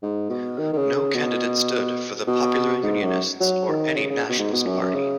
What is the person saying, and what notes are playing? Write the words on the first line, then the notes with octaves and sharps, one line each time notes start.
No candidate stood for the Popular Unionists or any nationalist party.
G#2
B2
D#3
D#3
C#3
C#3
B2
B2
G#2
F#2
F#3
D#3
C#3
C#3
B2
G#2
B2
F#2
F#2
C#3